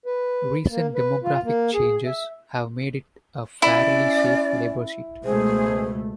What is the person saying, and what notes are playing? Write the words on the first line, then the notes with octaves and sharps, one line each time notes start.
Recent demographic changes have made it a fairly safe Labor seat.
B4
A#3
B4
F4
A#3
G#4
E5
C#4 E4 D5
C#2 B2 A3 G#4 C5